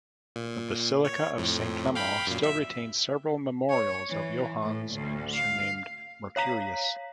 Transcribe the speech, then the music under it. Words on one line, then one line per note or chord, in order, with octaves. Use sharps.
The basilica of Saint Clement still retains several memorials of "Johannes surnamed Mercurius".
A#2
C#5
F2 A2
F5 G5 B5
F#2 A#2
E5
C#5
E3
A2
D2
F5
C#5 F5 A#5 B6